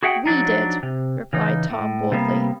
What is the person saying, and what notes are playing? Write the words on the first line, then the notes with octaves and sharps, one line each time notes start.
"We did," replied Tom boldly.
F#4 G#4 E5 F#5 G5
F3 F#3 D4 D#4
C3
C#3 E3 D#4
A2
C3 G3 A#3 B3